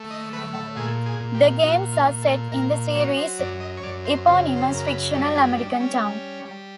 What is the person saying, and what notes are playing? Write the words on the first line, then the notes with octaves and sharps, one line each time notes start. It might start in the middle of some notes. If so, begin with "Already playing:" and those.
The games are set in the series' eponymous fictional American town.
Already playing: A3
D#5
A3 B4
A4
A#2 G#4
G#4
A#2
G4
A#2 F#4
F4
A#2
A4
A#2 A#4
F#3 C#5
C5
F#2 D5
D#5
C#5
F#2 D5
C5
C#3 C5
C5
F#2 A#4
B4
G3 A4
G#4
G3 D4
C#4
G3
G3